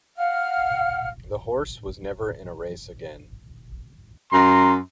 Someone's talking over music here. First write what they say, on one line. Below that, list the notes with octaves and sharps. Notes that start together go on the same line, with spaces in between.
The horse was never in a race again.
F5 F#5 F6
F#2 A#5 C6